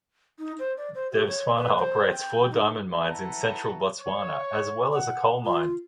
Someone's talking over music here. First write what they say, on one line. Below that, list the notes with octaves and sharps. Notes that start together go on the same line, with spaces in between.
Debswana operates four diamond mines in central Botswana, as well as a coal mine.
D#4
C5
D5
C5
G4
C#5
B4
C5
G5
D#4
E4 F#4 A4 B4 E5 A#5
C#5
F#5
F4